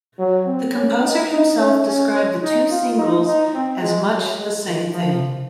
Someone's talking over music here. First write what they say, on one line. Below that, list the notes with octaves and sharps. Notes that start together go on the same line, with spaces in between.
The composer himself described the two singles as Much the same thing.
F#3
C4
C#4
D#4
D#4
C#4
C#4
C#4
D#4
F4
D#4
D#4
C4
G#3
F#3
G#3
D#3
F3